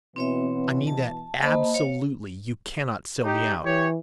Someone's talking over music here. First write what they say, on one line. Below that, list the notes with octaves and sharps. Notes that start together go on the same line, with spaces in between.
I mean that ab-so-lute-ly you cannot sell me out.'
B2 E3 C4 C#5 E5
A5
A#3 C5 D#5 A5 B5
C#5 F5
D#4 G4
E3 G4 C#5